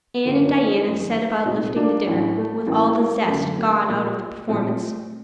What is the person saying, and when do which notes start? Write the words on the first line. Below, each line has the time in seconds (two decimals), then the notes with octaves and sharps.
Anne and Diana set about lifting the dinner, with all the zest gone out of the performance.
0.25 F#1 F#2 D3 A#3
0.45 A#3 D4
0.65 C4 D#4
0.85 G1 F#2 D#3
1.45 C2 A#2 C4 D#4
1.76 A#3 D4
2.07 A1 A2
2.37 A3
2.67 A1 A2 A#3
2.98 A#3
3.27 F#1 F#2 D3 A3
3.57 A#3
3.88 A#1 A#2 A#3
4.49 A#1 A#2 A3 C4